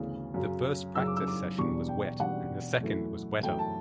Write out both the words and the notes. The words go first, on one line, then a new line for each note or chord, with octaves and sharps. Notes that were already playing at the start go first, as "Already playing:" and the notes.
The first practice session was wet, and the second was wetter.
Already playing: D2 C#3 E3 B3
F#2 C#3 F#3
F#2 C#3 F#3 E6
D6
E6
D6
E1 E2 B2 G3 D4 C#6
G5
E1 E2 B2 G3 D4 F#5
F#2 E3 A3 E4
F#2 E3 A3 E4 G5
A5